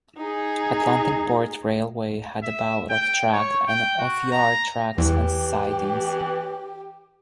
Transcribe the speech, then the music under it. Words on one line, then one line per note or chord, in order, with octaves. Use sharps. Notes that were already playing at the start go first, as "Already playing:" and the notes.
Atlantic Port Railway had about of tracks and of yard tracks and sidings.
D#4 G#4
E5
G5
C#5
G5
F#4
A#5
E2 E3 G4